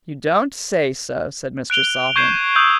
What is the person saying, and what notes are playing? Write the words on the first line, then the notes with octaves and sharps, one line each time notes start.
"You don't say so," said Mr. Salvin.
F#6 D7 F7 G7
C#6 G6 G#6 C7 E7 G7
D#6 E6 G6 E7